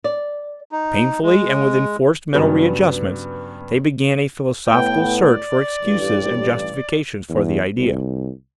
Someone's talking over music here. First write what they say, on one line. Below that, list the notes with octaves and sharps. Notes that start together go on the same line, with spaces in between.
Painfully and with enforced mental readjustments, they began a philosophical search for excuses and justifications for the idea.
D5
D#4
G#3
G2 C#3 F#3 B3
A2 B3 G5
D5
A1 G2
E2
C2